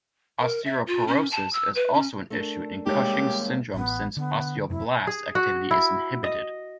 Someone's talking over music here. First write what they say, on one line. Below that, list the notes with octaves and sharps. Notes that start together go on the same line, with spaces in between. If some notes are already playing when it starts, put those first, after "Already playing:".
Osteoporosis is also an issue in Cushing's syndrome since osteoblast activity is inhibited.
A#4
E5
F4
C#4
A5
E6
B4
C#4
A3 D4 A#4
G3 G#3 A#3 G4 C#5
A1 B3
D3 B3
E1 F#2 C3 E4
G#4
F#4
E4
D#5